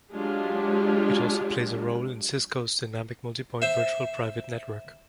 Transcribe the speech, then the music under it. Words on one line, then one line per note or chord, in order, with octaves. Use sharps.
It also plays a role in Cisco's Dynamic Multipoint Virtual Private Network.
F#3 G#3 D4 F4 G4
C5 E5